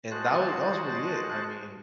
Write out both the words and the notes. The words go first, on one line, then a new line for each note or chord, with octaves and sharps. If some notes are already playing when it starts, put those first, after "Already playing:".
and that wa that was really it, I mean
G#3 F#4 C5 A5 F#6